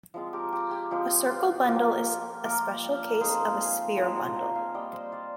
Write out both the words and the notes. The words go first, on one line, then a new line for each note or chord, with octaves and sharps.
A circle bundle is a special case of a sphere bundle.
F3 G#3 C4 F4
G4 A#4
G4
G4
F3 G#3 C4 F4 G4
F4
F3 A#3 F4 G4
F3 A#3 F4 G4 A#4
F3 C4 D#4 G#4 C5
F5 G#5
F3 C4 D#4 G#5 C6
G5 A#5
G5 A#5
F5 G#5
G3 A#3 F4 D#5 G5
C5 D#5
D5 F5